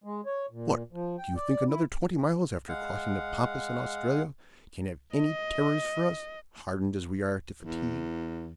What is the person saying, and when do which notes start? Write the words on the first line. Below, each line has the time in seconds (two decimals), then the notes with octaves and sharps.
"What! do you think another twenty miles after crossing the Pampas and Australia, can have any terrors for us, hardened as we are to fatigue?"
0.04 G#3
0.26 C#5
0.51 A#2
0.93 F3
1.18 G5
1.36 D5
1.68 E4
2.69 G#3 F5 F#5
5.16 D#5
7.64 E2